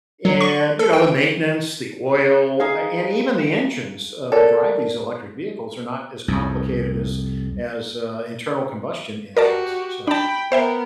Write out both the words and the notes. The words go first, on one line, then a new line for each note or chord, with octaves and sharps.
and, you know, the maintenance, the oil, a and even the engines, uh, that drive these electric vehicles are not as complicated as as, uh, internal combustion engines, so,
F#3
C#6
A4
G5
D#4 G#4 F5
A4 A#4 D5 A5
C2 F2
F#4 G4 A#4 D5 A5
D4 G5 A5 B5
B3 A#4 C5 E5 G5